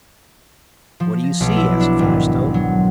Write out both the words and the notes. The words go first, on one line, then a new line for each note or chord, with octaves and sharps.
"What do you see?" asked Featherstone.
F3
A#6
B1
E4
D4
G#1
F#3